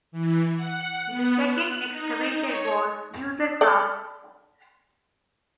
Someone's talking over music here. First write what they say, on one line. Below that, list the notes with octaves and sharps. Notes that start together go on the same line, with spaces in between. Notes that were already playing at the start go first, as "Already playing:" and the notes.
The second excavated was Userkaf's.
E3
F#5
B3
F#6
D#4
C#5
A4 D5